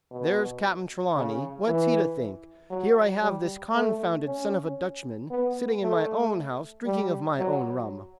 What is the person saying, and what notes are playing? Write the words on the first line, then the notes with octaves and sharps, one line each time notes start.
There's Cap'n Trelawney--what's he to think? Here I have this confounded son of a Dutchman sitting in my own house drinking of my own rum!
B2
C#3
E3
F#3
G3
A3
C#4
B3
A3
G3
F#3